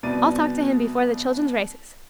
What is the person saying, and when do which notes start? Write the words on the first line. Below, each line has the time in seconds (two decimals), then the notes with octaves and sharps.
I'll talk to him before the children's races.
0.03 C2 B2 D5 A6 D#7